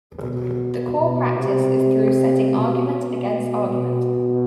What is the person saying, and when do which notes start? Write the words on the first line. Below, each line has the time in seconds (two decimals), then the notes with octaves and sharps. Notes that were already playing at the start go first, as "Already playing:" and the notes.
The core practice is through setting argument against argument.
0.22 B2
0.99 B2
1.38 C3
2.54 B2
3.70 B2